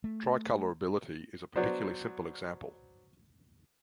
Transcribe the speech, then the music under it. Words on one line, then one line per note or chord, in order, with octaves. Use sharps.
Tricolorability is a particularly simple example.
A3
F#3 B3 D4 C5